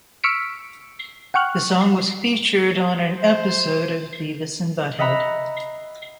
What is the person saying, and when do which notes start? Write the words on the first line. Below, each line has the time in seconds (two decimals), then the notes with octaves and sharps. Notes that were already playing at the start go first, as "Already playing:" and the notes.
The song was featured on an episode of "Beavis and Butthead".
0.24 C#6 E6 F6 B6 C#7 D7
1.34 F#5 G5 C#6 F6 F#6
3.15 C5
4.99 D#5 E5 F#5 A#5 B5